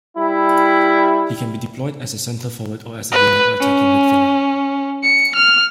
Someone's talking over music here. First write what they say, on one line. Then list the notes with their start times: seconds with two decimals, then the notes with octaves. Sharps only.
He can be deployed as a centre-forward or as a winger or attacking midfielder.
0.17 G3 E4
3.12 B4
3.60 C#4
5.03 C#7
5.36 F6